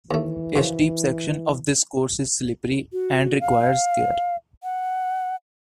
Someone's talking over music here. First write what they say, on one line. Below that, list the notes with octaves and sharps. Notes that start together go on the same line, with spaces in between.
A steep section of this course is slippery and requires care.
D#2 E3 A3
F#2 C#3 F3
F#4
F5
F#5